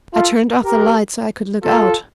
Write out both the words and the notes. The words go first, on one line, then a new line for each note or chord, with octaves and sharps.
I turned off the light so I could look out.
F4 A4
G4 A#4
F4 A4